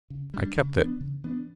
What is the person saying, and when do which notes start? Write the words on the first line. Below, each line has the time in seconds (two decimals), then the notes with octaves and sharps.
"I kept it."
0.10 C#3
0.34 G3 D4
0.56 C#3
0.78 E3 B3 D4
1.00 C#3
1.24 E3 B3 D4